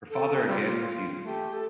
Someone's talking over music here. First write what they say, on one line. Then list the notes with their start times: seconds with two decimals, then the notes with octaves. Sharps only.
Her father again refuses.
0.10 A4
0.48 G3 F4
0.86 F4
1.25 A3 G4
1.53 A4